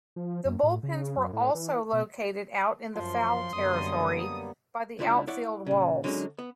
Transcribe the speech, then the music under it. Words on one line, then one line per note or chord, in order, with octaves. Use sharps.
The bullpens were also located out in the foul territory by the outfield walls.
F3
F#2
A2
C#3
F#2
A2
E3
B2
F#2 F3 C6
F#2 D3 G3 A#3 B3 D#6
C#2 D3 E4 F4 D5 E5
E4 C#5 D5 F#5
A#2 C#3
D3 F#3 G#3 C#4 D#4
B3